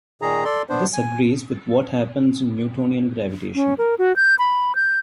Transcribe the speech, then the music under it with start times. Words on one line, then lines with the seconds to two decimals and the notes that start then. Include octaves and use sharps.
This agrees with what happens in Newtonian gravitation.
0.22 A#2 D#3 G#4 A#5
0.44 A4 D5 C6
0.69 B3 D4 C5
0.93 G#5
3.55 C#4
3.78 A#4
3.99 F#4
4.16 G6
4.39 B5
4.75 G6